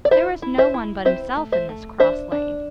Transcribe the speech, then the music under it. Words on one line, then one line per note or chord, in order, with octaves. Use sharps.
There was no one but himself in this cross-lane.
D5
E4 C5 E5
E4
C5 E5
E4
C4 C5 E5
A3
C5 E5
A3
D4 C5 E5
D4